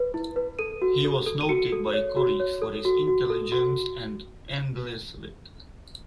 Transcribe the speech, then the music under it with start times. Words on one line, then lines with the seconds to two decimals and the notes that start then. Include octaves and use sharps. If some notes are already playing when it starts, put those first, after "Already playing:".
He was noted by colleagues for his intelligence and endless wit.
Already playing: B4
0.14 E4
0.36 B4
0.59 A4 D#7
0.82 F#4
1.05 A4
1.26 A4
1.41 D#7
1.49 F#4 C#7
1.72 A4
1.94 C#5
2.17 F#4
2.40 C#5
2.62 A4
2.85 F#4
3.08 F#4
3.30 A4
3.52 F#4